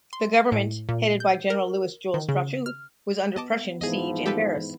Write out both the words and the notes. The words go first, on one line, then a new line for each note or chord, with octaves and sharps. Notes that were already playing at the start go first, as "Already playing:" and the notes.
The government, headed by General Louis Jules Trochu, was under Prussian siege in Paris.
C6
A2
A#2
G6
A#4
D#3
C#3
F6
B3 D#5 A5 D6
G#2 E3 F3 B3 E4 G#4 D#5
G4 A4 B4